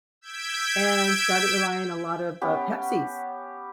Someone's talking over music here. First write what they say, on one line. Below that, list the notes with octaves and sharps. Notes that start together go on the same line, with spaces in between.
And started relying a lot of, uh, Pepsi's,
E6 G6 G#6 B6 D7
B3 C#4 G4